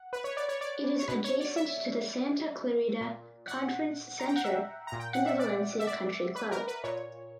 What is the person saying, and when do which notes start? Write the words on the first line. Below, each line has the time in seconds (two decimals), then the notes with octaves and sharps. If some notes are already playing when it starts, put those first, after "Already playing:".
It is adjacent to the Santa Clarita Conference Center and the Valencia Country Club.
Already playing: F#5
0.13 B4
0.24 C#5
0.37 D5
0.49 C#5
0.61 D5
0.99 C#5
1.08 B2 B4
1.24 C#5
1.40 D5
1.56 E5
3.01 A#2
3.48 F#5
4.20 A#5
4.28 G5
4.36 F#5
4.44 E5
4.87 A#5
4.92 A#2
5.00 G5
5.13 F#5
5.26 E5
5.39 D5
5.80 E5
5.87 D5
6.36 B4
6.51 A#4
6.68 B4
6.84 A#2 C#5